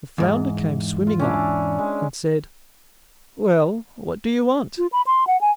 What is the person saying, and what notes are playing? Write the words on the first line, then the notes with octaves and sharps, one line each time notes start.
The flounder came swimming up, and said: "Well, what do you want?"
E2 G#2
F4
C#4 D4 E4
G#3
F4
B5
C6
F#5
G#5